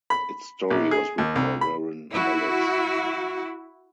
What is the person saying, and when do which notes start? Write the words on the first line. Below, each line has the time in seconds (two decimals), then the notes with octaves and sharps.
Its story was written by Warren Ellis.
0.10 B5
0.70 A#1
0.91 G#4
1.18 D#2
1.36 C2
1.61 B5
2.11 E4 F#4